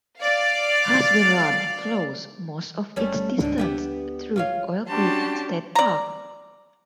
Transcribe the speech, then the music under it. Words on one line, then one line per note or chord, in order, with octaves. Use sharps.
Husband Run flows most of its distance through Oil Creek State Park.
D5 F5
G1 G3 A3 C#4
D2 G#2 D3 D4
B3 G4 E5
F4 C#5 F5
C#4 D4 F#4 G4 A5 C6
D5 A#5